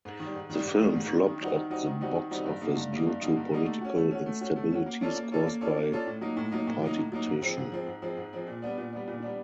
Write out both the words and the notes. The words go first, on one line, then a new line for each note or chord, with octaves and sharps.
The film flopped at the box office due to political instabilities caused by partition.
G#2
D#3
G3
G#2
D#3 G3
G#2
D#3 G3
G#2
D#3 G3
D#3
G3 C4 D#4 F#4
D#3
G3 C4 D#4 F#4
D#3
G3 C4 D#4 F#4
D#3
G3 C4 D#4 F#4
G2
D3 G3 A#3 D#4
G2
D3 G3 A#3 D#4
G2
D3 G3 A#3 D#4
G2
D3 G3 A#3 D#4
A3
C#4 F#4
A3
C#4 F#4
A3
C#4 F#4
A3
C#4 F#4
A#3
C#4 F4 A4 D5
A#3
C#4 F4 A4 D5
A#3
C#4 F4 A4 D5
A#3
C#4 F4 A4 D5
A2
F#3 A#3 D#4
A2
F#3 A#3 D#4
A2
F#3 A#3 D#4
A2
F#3 A#3 D#4
G#2
F3 G#3 C4
G#2
F3 G#3 C4
G#2
F3 G#3 C4
G#2
F3 G#3 C4
A#2
G3 B3 D4
A#2
G3 B3 D4
A#2
G3 B3 D4